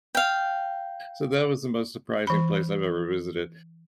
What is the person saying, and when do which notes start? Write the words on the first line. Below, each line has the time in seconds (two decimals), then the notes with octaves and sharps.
So that was the most surprising place I've ever visited.
0.15 F5 G5
2.27 E3 B5